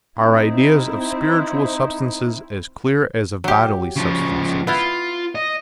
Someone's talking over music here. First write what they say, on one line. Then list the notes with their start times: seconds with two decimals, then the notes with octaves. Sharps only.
Our Ideas of spiritual Substances, as clear as of bodily Substances.
0.18 C4 D#4 E4
3.44 F#3 G4
3.96 C#3 F3
4.67 B3 E4 F4 F5
5.35 D#5